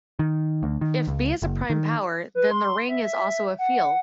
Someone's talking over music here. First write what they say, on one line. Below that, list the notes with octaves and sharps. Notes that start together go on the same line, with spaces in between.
If "b" is a prime power, then the ring is also a field.
D#3
D2
D#3
C#2
F#1
D#3
B4
C6
E5
F#5